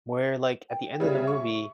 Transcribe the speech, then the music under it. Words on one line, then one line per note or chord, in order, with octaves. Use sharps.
Where, like, at the end of the movie
G5
C#3 G3 E5
C#6